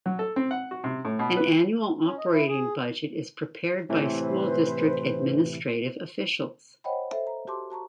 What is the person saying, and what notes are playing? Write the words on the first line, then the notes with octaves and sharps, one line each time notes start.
An annual operating budget is prepared by school district administrative officials.
F#3
A4
C4
F#5
F#4
C3
A2
B2
B4
C#4
D#5
E4
G#4
A2 C3 E3 B4 C5
C5 C#5 D#5 F#5 G5 B5
A4 C5 E5
A#5
F#4 G4 A5 C6 D6
F#4 A5 A#5 C#6